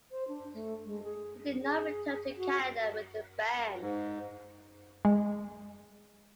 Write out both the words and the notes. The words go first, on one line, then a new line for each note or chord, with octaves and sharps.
He did not return to Canada with the band.
C5
D4
A3
G#3
G#4
G#4
F#4
G#2
G#3